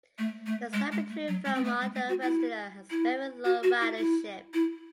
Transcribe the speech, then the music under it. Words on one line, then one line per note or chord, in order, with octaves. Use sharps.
The stub between Vermont and Western has very low ridership.
A3
A3
G#3
G#3
A3
F#3
G#3
C4
A3
G#3
A3
F#4
E4
E4
F#4
F#4
E4
E4
E4